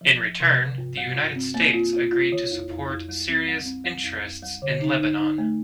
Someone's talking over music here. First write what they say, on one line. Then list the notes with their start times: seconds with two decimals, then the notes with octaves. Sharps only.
In return, the United States agreed to support Syria's interests in Lebanon.
0.01 F3
0.21 F3
0.40 C3
0.60 C3
0.78 G2
0.97 G3
1.16 G2
1.36 C4
1.54 A#3
1.74 F4
1.93 F4
2.12 F4
2.32 D#3
2.51 F2
2.70 F2
2.90 F2
3.09 G3
3.28 C4
3.47 G3
3.65 C4
3.84 G3
4.04 F2
4.23 F2
4.43 G3
4.62 D3
4.81 D#4
5.00 D#4
5.19 D#4
5.38 A3